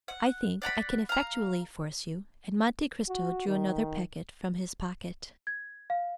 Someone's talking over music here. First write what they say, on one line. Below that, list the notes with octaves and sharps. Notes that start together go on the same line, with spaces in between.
"I think I can effectually force you;" and Monte Cristo drew another packet from his pocket.
F#5
D5 F#5 A#5 B5
F5 A#5
F#4
D#3
G#6
F5